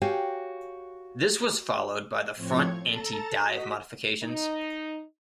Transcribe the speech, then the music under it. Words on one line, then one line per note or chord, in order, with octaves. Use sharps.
This was followed by the front anti-dive modifications.
F#4 G4 C#5 F5 G5 G#5
A2 F3 C4 C#5 C#6 G#6
A4 A5 A#5 A6
F#4 D#5 B6
D#4